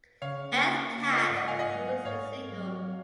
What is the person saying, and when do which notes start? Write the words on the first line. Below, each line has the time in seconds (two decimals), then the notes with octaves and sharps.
Ed Cash produced the single.
0.22 C#3 C#5 F5
0.38 C#3
0.52 A#3
0.67 A#3
0.82 A#3
0.98 C#3
1.13 F4 D#5 F#5
1.29 G#2
1.37 D#5 F#5
1.44 F4 F5 G#5
1.59 G#2 D#5 F#5
1.74 F#3
1.90 A#3
2.05 G#2 C#5 F5
2.20 G#2
2.36 C4
2.52 F#3
2.66 F#4
2.81 F#3